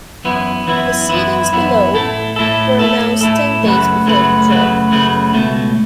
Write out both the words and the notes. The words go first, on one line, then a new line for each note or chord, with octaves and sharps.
The seedings below were announced ten days before the draw.
F#2 E3 B3 E4
F#2 E3 B3 E4
F#2 E3 B3 E4
F#2 E3 B3 E4
A2 A3 E4 A4
A2 A3 E4 A4
A2 A3 E4 A4
A2 A3 E4 A4
F#2 C#3 A3 F#4 B4
F#2 C#3 A3 F#4 B4
F#2 C#3 A3 F#4 B4
F#2 C#3 A3 F#4 B4
C#2 B2 A3